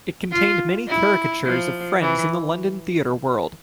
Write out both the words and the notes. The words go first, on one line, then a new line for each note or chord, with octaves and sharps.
It contained many caricatures of friends in the London theatre world.
F4
E4
F3
E3